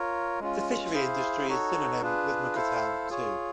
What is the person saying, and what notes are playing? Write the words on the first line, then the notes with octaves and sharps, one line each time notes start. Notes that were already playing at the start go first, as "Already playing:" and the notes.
The fishery industry is synonym with Mukah town too.
Already playing: F4 A#4 C#5
G#3 C#4 F4
E4 G#4 C5 F5
D#4 F#4 A4 C#5
D4 F4 G#4 B4
E4 A4 C5 F5
F4 G#4 C#5